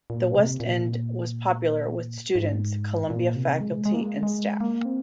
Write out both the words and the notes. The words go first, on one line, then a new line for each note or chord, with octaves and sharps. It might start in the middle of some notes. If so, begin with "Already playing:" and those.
The West End was popular with students, Columbia faculty and staff.
A#2
C3
A#2
G#2
A#2
C3
G#3
G#3
A#3
G#3
G#3
A#3
C4